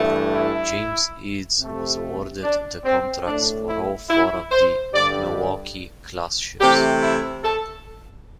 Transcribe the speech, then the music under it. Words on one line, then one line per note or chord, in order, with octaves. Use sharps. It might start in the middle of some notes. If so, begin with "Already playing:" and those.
James Eads was awarded the contracts for all four of the "Milwaukee"-class ships.
Already playing: G2 E3 A3
E4
C3
A3
D4
C4
A2 A3 D4
E4
E4
C5
G2 D3 G3 D5
C3 E3 A3 G4
E4
A4